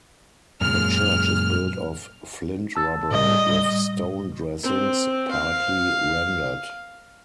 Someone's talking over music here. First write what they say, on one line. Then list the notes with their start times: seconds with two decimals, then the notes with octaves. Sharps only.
The church is built of flint rubble with stone dressings, partly rendered.
0.61 F#2 A#2 G#3 F6
2.76 A5 E6 A6
3.11 A2 G3 D#5
4.63 C4
5.31 F5